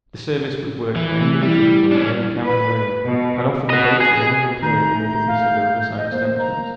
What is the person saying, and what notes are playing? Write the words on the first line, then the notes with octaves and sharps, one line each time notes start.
The service was worked by individuals on their own account alone, and often the boats were only employed in the business of the riverside establishments.
E3
A3
G3 E4
C#4 D4
B4
B2
F#4 D#5
G#4
D#3 A3 A#5 G6
F5
D#5
A#3 C5
A#5